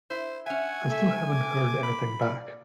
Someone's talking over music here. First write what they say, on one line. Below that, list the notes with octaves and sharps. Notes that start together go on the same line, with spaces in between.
I still haven't heard anything back.
E4 C5
C#4 E5 F#5 G#5
A3 E5
D6
B5
D5